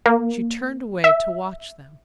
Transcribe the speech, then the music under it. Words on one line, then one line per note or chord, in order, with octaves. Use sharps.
She turned away to watch them.
A#3
E5